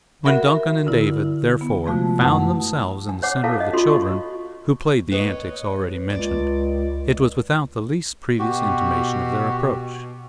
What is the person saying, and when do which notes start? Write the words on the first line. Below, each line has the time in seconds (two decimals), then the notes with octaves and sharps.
When Duncan and David, therefore, found themselves in the center of the children, who played the antics already mentioned, it was without the least previous intimation of their approach.
0.23 F#4 A#4 E5 F#5 B5 C#6
0.87 D3 E4
1.61 B3
1.86 C3 F3 G#3 A3 F4 F#4
2.19 F#2 E4 B4 F#5 A5 D#6
3.09 G#5
3.22 C5 C#5 F#5 D6
3.43 E4 A4 F5 A5
3.60 D#5
3.73 F4 F#4 A4 C6
3.87 C#6
5.12 B4 C#5 D#5
6.10 C#2 D5
8.39 B2 F#4 G4